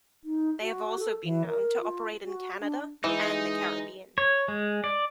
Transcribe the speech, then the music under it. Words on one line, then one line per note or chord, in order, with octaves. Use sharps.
They also have been known to operate in Canada, and the Caribbean.
D#4
F#4
A4
E3
A#4
F4
F#4
D4
E3 G#3 D#4
C#5
G#3
D5